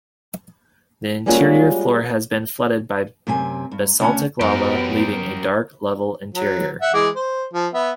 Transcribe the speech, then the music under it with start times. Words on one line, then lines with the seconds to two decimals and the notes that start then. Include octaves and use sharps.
The interior floor has been flooded by basaltic lava, leaving a dark, level interior.
1.26 G3 G#3 A#3 C#4 F4 F#4
3.27 F#2 C3 C4 G#5
3.71 G2
4.00 D2 C#3 C#4 F#5 G#5 A5
4.41 F#2 B3 G4 A#4
6.34 F#3
6.82 E5 F#5
6.94 E3 G#3 D6
7.16 C5
7.53 F3
7.74 B3 E5